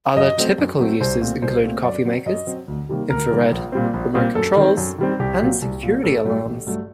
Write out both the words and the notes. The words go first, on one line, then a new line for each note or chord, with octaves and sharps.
Other typical uses include coffee makers, infrared remote controls, and security alarms.
F#2 D#5
F#3 A3 C4
F#2
F#3 A3 C4
C2 C5
A#2 A3 C4
C2 C5
A#2 A3 C4
F#2 D5
F#3 C4
F#2 D#5
F#3 C4
D2
C3 D#3 G3 A#3
D2 A#4
C3 D#3 G3 A#3
A#1
A#2 G3 C4
A#1
A#2 G3 C4
F#2 A4
D#3 G3 C4
F#2
D#3 G3 C4
C2 G4
A#2 F#3
C2
A#2 F#3
A1 A4
G2 F#3 A3
A1
G2 F#3 A3